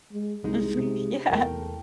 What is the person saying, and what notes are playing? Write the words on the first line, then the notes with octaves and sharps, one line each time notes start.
Mhm. Yeah.
G#3
C2 G#3 D#4
C3
E2 A3 A#4 G5